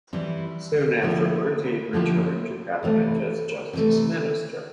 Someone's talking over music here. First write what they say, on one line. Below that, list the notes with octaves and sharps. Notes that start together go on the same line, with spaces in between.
Soon afterward, he returned to cabinet as Justice Minister.
E3 G3 C4 E4
D3 F3 A#3 E4 G4
D3 F3 A#3 E4 G4
C3 E3 A3
C3 E3 A3